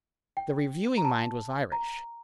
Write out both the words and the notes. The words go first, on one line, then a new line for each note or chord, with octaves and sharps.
The reviewing mind was Irish.
G5
A#5
A5
A#5